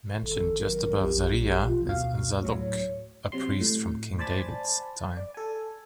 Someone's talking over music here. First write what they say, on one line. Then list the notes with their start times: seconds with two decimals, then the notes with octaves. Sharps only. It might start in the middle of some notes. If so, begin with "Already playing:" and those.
Mentioned just above Zariah is Zadok, a priest from King David's time.
0.22 G#1 A4
0.60 F#3 A#4
1.00 A#1 G4
1.67 F4
1.85 D2 B2 F#4 F5
2.43 A2 F#3 C#5
3.32 C3 F#3 C6
3.61 A2
4.19 C5 D5 G#5 A5 B5 A6
5.17 D5
5.34 A4 G#5